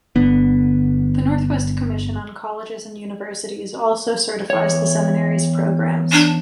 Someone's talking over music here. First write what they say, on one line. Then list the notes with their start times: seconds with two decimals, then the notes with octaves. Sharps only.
The Northwest Commission on Colleges and Universities also certifies the seminary's programs.
0.16 G1 D3 B3
4.50 E2 C#5
6.12 D4